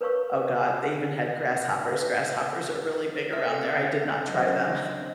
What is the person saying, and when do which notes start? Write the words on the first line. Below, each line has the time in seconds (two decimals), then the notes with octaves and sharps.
Oh god, they even had grasshoppers. Grasshoppers are really big around there. I did not try them,
0.01 A#4 B4 C#5 F5 C#6 E6
1.92 B4 E5 F5
3.33 C4 A4 E5 F6
4.24 C#3 F#3 C4 D4 D#5